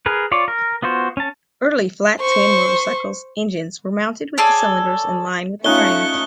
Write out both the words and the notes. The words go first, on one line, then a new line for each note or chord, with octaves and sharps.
Early flat-twin motorcycles' engines were mounted with the cylinders in line with the frame.
G#4 A#4 B4
F4 C#5 D5
A#4
B3 F4 F#4 C5
C#4 A5
C5 C#6
G#4 A4 C#5 D5
A3 C#4 D#4 F4 C#6 F#6 G7